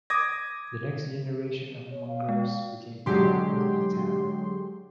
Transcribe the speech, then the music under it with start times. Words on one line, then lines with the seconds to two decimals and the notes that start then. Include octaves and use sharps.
The next generation of Mungers became prominent in the town.
0.10 D6 D#6 G#6 A#6
1.91 C#5
2.08 F5
2.29 G#3
3.06 D3 F#3 G#3 G4 C6